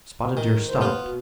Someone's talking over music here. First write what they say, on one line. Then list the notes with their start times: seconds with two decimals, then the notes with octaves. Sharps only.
Spotted Deer stopped.
0.37 D#3
0.68 A2 C3 C5
0.81 B3 F4
0.99 B2